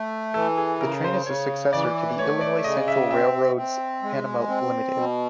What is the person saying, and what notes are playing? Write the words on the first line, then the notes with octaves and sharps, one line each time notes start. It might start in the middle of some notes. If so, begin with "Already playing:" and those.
The train is a successor to the Illinois Central Railroad's "Panama Limited".
Already playing: A3
E3 A4
G#4
C#3 A#4
C5
C#3 C#5
E3 D5
A3 C#5
D5
C#3 D#5
E5
C4 E5
C4
G#3
C4
B2